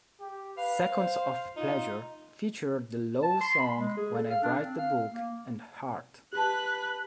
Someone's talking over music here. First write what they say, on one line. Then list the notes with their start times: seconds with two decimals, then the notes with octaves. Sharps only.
"Seconds of Pleasure" featured the Lowe songs "When I Write the Book" and "Heart".
0.20 G4
0.58 B4 F5
0.92 C5
1.56 D#4 F4
3.23 A5
3.41 C6
3.59 B5
3.77 G#3
3.97 G#4
4.14 A4
4.30 F5
4.43 D4
4.63 C4
4.78 F5
5.12 A#3
6.33 G4 B4 A5 F#6